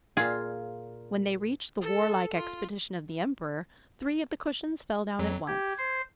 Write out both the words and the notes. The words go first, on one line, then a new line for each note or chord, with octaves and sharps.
When they reached the warlike expedition of the emperor three of the cushions fell down at once.
A#2 F4 G#4
A4
F4
F2 F#3
G4 G#6
C5